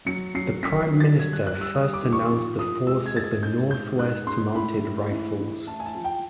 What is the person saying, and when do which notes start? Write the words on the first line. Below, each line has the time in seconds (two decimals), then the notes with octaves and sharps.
The Prime Minister first announced the force as the "North West Mounted Rifles".
0.06 F#3 C#7
0.35 F#3 C7
0.63 F#3 B6
0.91 F#3
1.00 A6
1.19 G3 G#6
1.33 F#6
1.47 G3 F#6
1.61 E6
1.75 G3 D#6
1.94 D6
2.03 D#3
2.13 C#6
2.30 F3
2.58 F3 D#6
2.87 G#3 E6
3.06 G#6
3.15 G#3 A6
3.24 G#6
3.43 G#2 G6
3.71 G#2 G6
3.99 G#2 F#6
4.27 G#2 C6
4.55 A2 B5
4.83 A2
5.11 E3
5.39 E3
5.67 A2 A5
5.80 G#5
5.86 A5
5.95 F3
6.04 G5